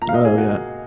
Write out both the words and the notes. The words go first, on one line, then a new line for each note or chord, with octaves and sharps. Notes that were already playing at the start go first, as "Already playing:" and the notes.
Oh, yeah.
A#2 A#5
F5
D#5
A#2
G#4
A#3
F#4